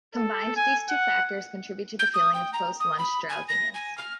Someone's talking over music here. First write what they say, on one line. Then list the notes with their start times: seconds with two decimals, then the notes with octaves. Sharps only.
Combined, these two factors contribute to the feeling of post-lunch drowsiness.
0.15 A4
0.56 G#5
0.89 F#5
1.99 G6
2.14 D#6
2.34 G5
2.54 A#5
2.80 D#6
2.98 B5
3.29 G#5
3.48 A#6
3.74 G#5
3.98 F6